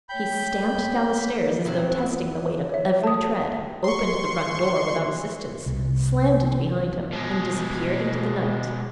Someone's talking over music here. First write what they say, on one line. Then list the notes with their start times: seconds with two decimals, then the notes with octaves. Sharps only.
He stamped down the stairs as though testing the weight of every tread, opened the front door without assistance, slammed it behind him and disappeared into the night.
0.09 A3 C#5 G5 B5 G6
1.65 E2 F#3 C4
2.69 C#5 E5
3.03 A5 D#6
3.84 C6 C#6
5.66 C2
7.13 B2 G#3